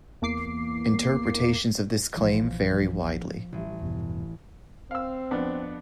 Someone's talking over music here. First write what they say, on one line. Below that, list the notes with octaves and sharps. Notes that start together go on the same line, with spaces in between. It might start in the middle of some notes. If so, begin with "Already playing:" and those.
Interpretations of this claim vary widely.
E2 A#3 D6 C7
A#1 E3 F3
A1 F3 G3
E2 G2 B2
C4 F5 E6
F2 B3 D4